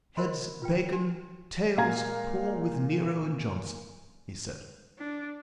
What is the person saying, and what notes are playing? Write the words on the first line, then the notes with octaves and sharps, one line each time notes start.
"Heads--Bacon; tails--pool with Nero and Johnson," he said.
F#4 A#4 C5 D#5 B5 C6
F4 B4 G5
F#4 G#5
A#2 G#3 F5 A#5 G#6
D4